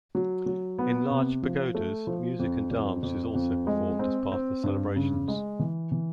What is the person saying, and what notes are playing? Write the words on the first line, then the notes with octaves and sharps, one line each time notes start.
In large pagodas music and dance is also performed as part of the celebrations.
F#3
F#3
B3
C3
F3
A3
F3
F2
F2
F2
F2
G#3
C4
C4
G2
C#3
G#3
E3
E3